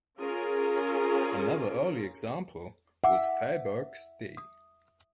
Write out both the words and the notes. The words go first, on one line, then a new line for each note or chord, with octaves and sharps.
Another early example was Faubourg Ste.
C#4 F4 G#4 A#4
E5 F#5 G#5 D6
D#6